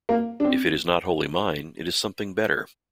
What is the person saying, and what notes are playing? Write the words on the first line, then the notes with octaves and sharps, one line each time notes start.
If it is not wholly mine it is something better.
A#3
D4
C4